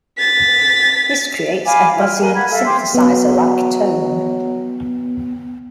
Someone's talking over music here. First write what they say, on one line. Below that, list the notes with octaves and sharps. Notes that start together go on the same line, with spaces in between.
This creates a buzzy synthesizer like tone.
A6 B6
F5 G#5 B5 D6
E4 F4
A#4 B4 G#5
G4 F#5 B5 G#6
A4 E5 F5
G4 C6 D6
F#3 B3